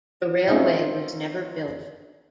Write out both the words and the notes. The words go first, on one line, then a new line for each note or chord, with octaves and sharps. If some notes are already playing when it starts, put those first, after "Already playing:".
The railway was never built.
C4 C#4 D#4 F4 E5